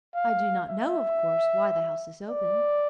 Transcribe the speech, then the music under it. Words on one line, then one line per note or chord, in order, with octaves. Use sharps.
I do not know, of course, why the house is open.
F5
E5
D5